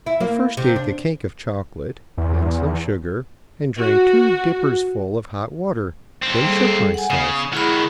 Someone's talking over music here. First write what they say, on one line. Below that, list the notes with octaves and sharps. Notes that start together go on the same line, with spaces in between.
I first ate the cake of chocolate, then some sugar, and drank two dippersful of hot water,--then shook myself.
E4
A#3
C3
D4
E2
F#4
D#2 C4
G3 G#4 A4
F#5 G#5
C#3 B3 D#6
D#3 E4 F#4 G#4 B5